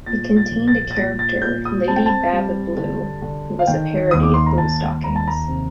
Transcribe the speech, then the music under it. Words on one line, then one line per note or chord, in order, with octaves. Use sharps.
It contained a character Lady Bab Blue who was a parody of bluestockings.
A#2 A6
A6
A#1
A6
A6
A#2 A#6
A6
A#2 G6
D#6
C4 A5
G5
A5
G3
D3
D3
F5
D#3 G5
D#2 D#6
D6
C6
A#5
D#2 A5
D#2 A#5
A5
A#5
C3